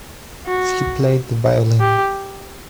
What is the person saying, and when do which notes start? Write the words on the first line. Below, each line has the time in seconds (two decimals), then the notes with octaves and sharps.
He played the violin.
0.47 F#4
1.81 G4